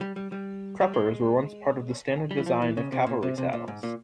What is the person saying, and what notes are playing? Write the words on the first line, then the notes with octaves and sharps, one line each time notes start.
Cruppers were once part of the standard design of cavalry saddles.
G3
G3
G3
G3
G#3
G3
E3
F3
E3
C#3
C3
A#2
C3
C3
A#2
G#2
A#2